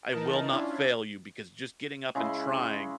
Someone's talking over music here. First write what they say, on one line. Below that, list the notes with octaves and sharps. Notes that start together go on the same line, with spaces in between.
I will not fail you because just getting up and trying
E3 D#4 A#4 A5
C#4 D4 E4 F4
C#3 G#3 E4 C6